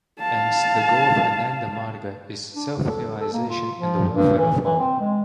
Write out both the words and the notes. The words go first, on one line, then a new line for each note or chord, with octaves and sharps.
Hence, the goal of "Ananda Marga" is "self-realization and the welfare of all".
F5 A5
D4
A4
A4
A#3
F4
F3
G2
E3
E3
C4
G#3